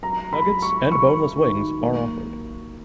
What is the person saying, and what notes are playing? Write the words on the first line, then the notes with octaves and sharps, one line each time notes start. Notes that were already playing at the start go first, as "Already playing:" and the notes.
Nuggets and boneless wings are offered.
F#2 A#5
B5
F#2
C#6
F#2 C#6
D#3
A#3